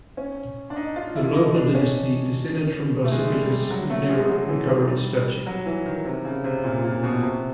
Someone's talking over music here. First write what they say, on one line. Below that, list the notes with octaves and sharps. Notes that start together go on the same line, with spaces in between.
The local dynasty, descended from Docibilis, would never recover its duchy.
C#4
D4
D#4
F4
E4
D#4
D4
C#4
A3
G#3
G3
G3
F#3
A3
G#3
F#3
E3
D#3
G3
F#3
E3
D#3
C3
C#3
C3
A#2
A#2
B2
C3